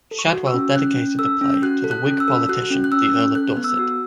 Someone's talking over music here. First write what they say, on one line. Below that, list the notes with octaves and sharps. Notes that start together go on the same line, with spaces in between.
Shadwell dedicated the play to the Whig politician the Earl of Dorset.
A4
C#6
F#4
E6
C#4
C#4 F#6
C#4
A4 E6
C#4
F#4 F#6
A4
F#6
C#4
E6
A4
F#4 F#6
C#4
F#6
C#4 E6
C#4
A4 F#6
B3
E6
F#4